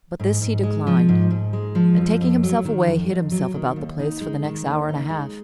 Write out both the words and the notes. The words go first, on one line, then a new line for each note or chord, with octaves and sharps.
But this he declined; and taking himself away hid himself about the place for the next hour and a half.
G#2
G#2
G#3
F3
G#2
G#2
G#3
F3
F2
F2
F#3
D#3
F2
F2
F#3
D#3
D#2
D#4
G#3
D#3
D#2
D#4
G#3